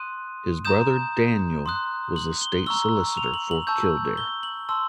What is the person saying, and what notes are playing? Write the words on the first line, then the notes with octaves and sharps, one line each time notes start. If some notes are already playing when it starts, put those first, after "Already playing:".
His brother Daniel was the State Solicitor for Kildare.
Already playing: C6 D#6 F#6 D#7
A#5 D#6 G6 E7
C6 D#6 F#6
F#7
G7
A#5 C#6 E6 G7
F7
F#7
F#7
A5 C#6 E6 G6
G7
F#7
A5 C6 E6